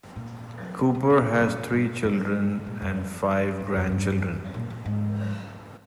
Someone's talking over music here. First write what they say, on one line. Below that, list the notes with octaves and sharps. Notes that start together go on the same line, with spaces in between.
Cooper has three children and five grandchildren.
A#2
C3
C3
D3
A#2
C3
A#2
G2
G2
A#2
F2
G2
F2
G#2
G2
A#2
A#2
G#2